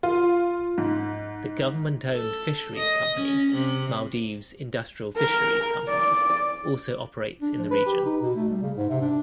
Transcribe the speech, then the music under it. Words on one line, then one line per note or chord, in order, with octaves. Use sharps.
The government owned fisheries company, Maldives Industrial Fisheries Company also operates in the region.
F4
G#2
A4
D#5
C#4
C3
A#4
D5
D4
F3
B4
G4
D#4
B2
A3
G3
C#3
G#2
C3
D4